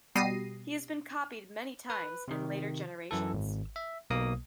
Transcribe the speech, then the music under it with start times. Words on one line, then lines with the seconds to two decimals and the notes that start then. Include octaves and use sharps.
He has been copied many times in later generations.
0.15 B2 G3 D#6 A#6 C7 D#7
1.90 B4
2.28 C3 D#3
3.11 F#2 E3 A4
3.34 G#1
3.76 E5
4.10 B1 B2 A#3 D#6